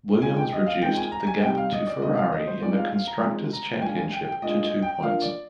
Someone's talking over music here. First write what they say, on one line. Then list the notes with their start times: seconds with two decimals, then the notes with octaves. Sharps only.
Williams reduced the gap to Ferrari in the Constructors Championship to two points.
0.22 A#2 G#3 C4 D#4 G#5
0.37 G5
0.52 D#5
0.66 F5
0.82 A#2 G#3 C4 D#4 G5
0.97 G#5
1.12 A#5
1.27 G#5
1.42 C3 G3 C4 D#4 G5
1.57 F5
1.73 D#5
1.87 D5
2.02 C3 G3 C4 D#4 D#5
2.17 F5
2.32 D#5
2.47 C5
2.62 F3 G#3 C4 D#4 D5
2.77 F5
2.93 F5
3.07 A#5
3.22 F3 G#3 C4 D#4
3.53 A#5
3.78 G5
3.82 A#2 G#3 D4 F4 G#5
3.97 G#5
4.12 G5
4.27 G5
4.42 A#2 G#3 D4 F4 D#5
4.63 D#5
4.82 G5
5.02 F3 A#3 D4 F4 F5
5.22 D5